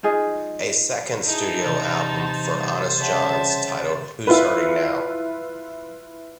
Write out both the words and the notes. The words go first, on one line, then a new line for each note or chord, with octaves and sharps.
A second studio album for Honest Jon's, titled Who's Hurting Now?
D#4 F4 G#4 D#5
D#4 E4 G#4 A5
A2 C3 E3 C5 A6
G3
C#3 C#5 E5 F#5 A5
E4 F4 B4